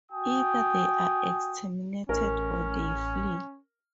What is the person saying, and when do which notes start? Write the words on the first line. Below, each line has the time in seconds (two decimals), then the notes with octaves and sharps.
Either they are exterminated or they flee.
0.12 F#4 G5 G#5 D#6
2.09 A1 C#4 A#4